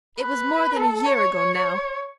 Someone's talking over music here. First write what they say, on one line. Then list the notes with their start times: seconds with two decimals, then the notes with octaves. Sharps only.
It was more than a year ago now.
0.20 B4
0.76 A4
1.06 C#5
1.33 C#5